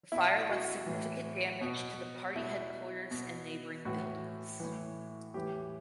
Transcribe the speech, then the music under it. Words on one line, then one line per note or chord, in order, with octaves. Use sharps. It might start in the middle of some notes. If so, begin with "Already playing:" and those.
The fire left significant damage to the party headquarters and neighboring buildings.
B2 E4
F#4
A2 E3
B2
B2 E4
B2
A2 E3 F#4
A2 E3
A2 E3 G4